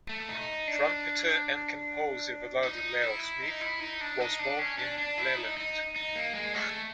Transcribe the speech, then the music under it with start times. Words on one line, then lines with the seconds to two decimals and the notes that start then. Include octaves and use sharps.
Trumpeter and composer Wadada Leo Smith was born in Leland.
0.09 A3
0.29 D#4
0.67 D4
2.63 D#4
3.02 E4
3.42 D#4
3.61 E4
3.80 D#4
4.01 D4
4.20 D#4
4.39 D4
4.59 C#4
4.78 D4
4.98 D4
5.18 E4
5.37 D#4
5.57 D#4
5.96 D#4
6.16 A#3
6.35 G#3
6.55 A3